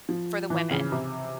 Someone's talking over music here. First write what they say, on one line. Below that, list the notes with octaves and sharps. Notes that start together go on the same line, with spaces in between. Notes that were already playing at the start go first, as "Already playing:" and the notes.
for the women.
F3
E3
C#3
C3